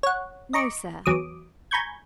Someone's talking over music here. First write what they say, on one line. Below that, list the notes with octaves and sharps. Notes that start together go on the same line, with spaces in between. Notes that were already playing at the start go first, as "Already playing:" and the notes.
"No, sir."
C#5 F#5
D#5 A#5 C#6 D6
E2 F#3 D6 D#6
G#5 A#5 B5 C#6 G6 G#6